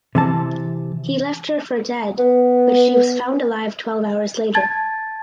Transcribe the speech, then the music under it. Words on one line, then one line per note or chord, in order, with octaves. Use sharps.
He left her for dead but she was found alive twelve hours later.
C3 E3 A5
B3
A5 G#6 A6